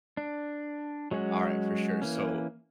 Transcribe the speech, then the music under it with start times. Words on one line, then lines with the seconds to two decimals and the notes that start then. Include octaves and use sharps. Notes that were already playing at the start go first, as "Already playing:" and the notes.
All right, for sure, so,
0.17 D4
1.11 F#3 G#3 C#4 F#4
2.02 E3 A#3 C#4